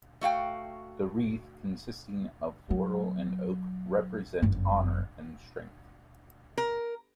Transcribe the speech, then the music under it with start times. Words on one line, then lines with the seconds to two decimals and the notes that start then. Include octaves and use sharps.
The wreath, consisting of laurel and oak represent honor and strength.
0.21 A3 F#4 F5 G5
2.70 F#3
4.42 G1 F#2
6.58 A#4